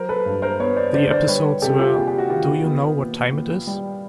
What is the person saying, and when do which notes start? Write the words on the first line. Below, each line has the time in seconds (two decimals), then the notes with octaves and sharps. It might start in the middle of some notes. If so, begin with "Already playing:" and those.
The episodes were Do You Know What Time It Is?
Already playing: F#3 A#4 C5
0.09 A4 B4
0.26 G2
0.42 A#4 C5
0.60 B3 B4 C#5
0.76 C5 D5
0.94 D3 C5 D5
1.11 C5 D5
1.28 G3 B4 C#5
1.62 C3 G4 A4
1.79 F4 G4
1.96 A#3 G#4
2.08 G4
2.18 F#4
2.29 D#3 F4 G4
2.65 B3
2.98 A#2
3.33 A#2
3.67 G3